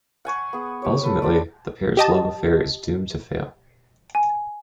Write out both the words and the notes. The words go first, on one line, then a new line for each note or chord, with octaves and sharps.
Ultimately, the pair's love affair is doomed to fail.
F#5 G#5 C#6
B3 G#4
G4 C#5
A4 B4
D4 C5 D5
G4 D#5 A5
G#5